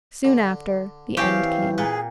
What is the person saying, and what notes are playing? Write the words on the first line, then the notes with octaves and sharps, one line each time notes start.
Soon after, the end came.
D3
E3 C4 F4 G4 G#4 C#5 F5
A#2 G#4 B4